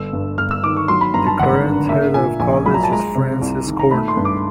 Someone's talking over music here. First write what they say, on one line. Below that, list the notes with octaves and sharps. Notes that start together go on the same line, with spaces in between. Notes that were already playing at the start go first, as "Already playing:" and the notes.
The current head of college is Frances Corner.
Already playing: G1 E6
G2
G1 F6
E6
D#3 D6
C#6
F#3 C6
B5
G2 A#5
A5
G#1 F#5
D3
A#3 E5
A#2 G#5
A#1 G#5
F#3 B5
A#5
A5
G#3 A#5
C3
C2
D#3
A#5
A3 B5
C6
G2
D6